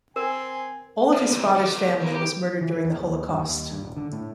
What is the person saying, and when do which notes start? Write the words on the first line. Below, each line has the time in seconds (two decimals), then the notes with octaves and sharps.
All of his father's family was murdered during the Holocaust.
0.16 C4 A#4 G#5
1.13 B4 D5 F5
1.32 D#3 G3 C4
1.56 G4 A4 F#5
2.00 E3 B3 A#4
2.14 G4
2.61 E3
2.85 E2
3.01 D#2
3.28 G2
3.40 D#2
3.71 G2
3.83 D#1
3.97 D3
4.12 A2